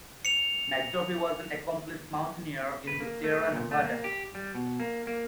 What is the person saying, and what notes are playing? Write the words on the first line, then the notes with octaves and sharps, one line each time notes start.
McDuffie was an accomplished mountaineer in the Sierra Nevada.
C#7 F7
B4
A#3
A3
A#2
A3
A#3
G4
G3
B2
A#3
A#3